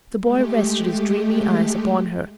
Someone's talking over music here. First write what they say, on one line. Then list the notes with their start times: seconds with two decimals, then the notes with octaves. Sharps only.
The boy rested his dreamy eyes upon her.
0.21 G#3 A3 G4